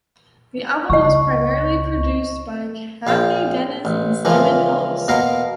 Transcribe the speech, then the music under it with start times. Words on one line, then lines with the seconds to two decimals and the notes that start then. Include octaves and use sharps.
The album was primarily produced by Cathy Dennis and Simon Ellis.
0.90 C#2 D#5 C#6
3.07 A#1 F5 G5
3.85 A1
4.25 C#2 E3 F3 A#3
5.08 B2 A#3 A#4 C6